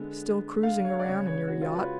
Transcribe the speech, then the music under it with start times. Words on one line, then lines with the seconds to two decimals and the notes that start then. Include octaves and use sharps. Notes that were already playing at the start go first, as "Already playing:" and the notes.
"Still cruising around in your yacht?"
Already playing: D3 G#3 B3
0.63 F5
0.85 C#5
0.99 D5
1.06 C#3 G#3 B3 C#5
1.27 C#5
1.47 F#4
1.62 F4
1.76 B4